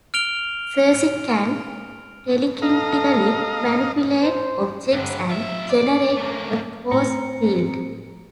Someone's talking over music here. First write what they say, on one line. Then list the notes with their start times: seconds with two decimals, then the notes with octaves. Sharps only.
Sersi can telekinetically manipulate objects and generate a force field.
0.14 F6 D7 F7 G7
2.62 A4 D#5 F5 A#5
4.23 C5
4.93 G2 D3
5.29 F4 E5
5.70 D5
6.16 A3 A#3
6.91 A2 C4 A#5 C#7